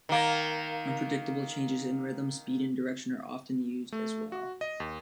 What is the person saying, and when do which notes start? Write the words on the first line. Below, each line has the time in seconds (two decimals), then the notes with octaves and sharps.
Unpredictable changes in rhythm, speed, and direction are often used, as well.
0.09 D#3 A#3
3.92 A3
4.32 F#4
4.61 D#5
4.80 D#2